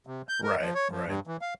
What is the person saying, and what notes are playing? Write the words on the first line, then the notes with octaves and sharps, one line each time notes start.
Right. Right.
C3
G6
A#4
F3
C#5
F3
G2
E3
F5